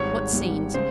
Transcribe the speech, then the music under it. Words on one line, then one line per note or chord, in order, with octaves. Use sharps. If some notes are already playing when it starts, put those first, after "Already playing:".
What scenes!
Already playing: G#1 G#2 G3 C#5
G#1 G#2 G3
C#3 G#3 C5